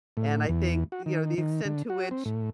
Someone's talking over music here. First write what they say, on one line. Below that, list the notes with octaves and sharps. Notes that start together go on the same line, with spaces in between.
and I think, you know, the extent to which
A2
E2
F#4
D#3
D#3
D3
F#4
C4
A2